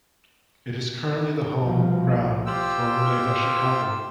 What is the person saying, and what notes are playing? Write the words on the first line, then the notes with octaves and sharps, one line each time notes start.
It is currently the home ground for Nueva Chicago.
C2 B2 F3
F4 G4 C5 G5 E6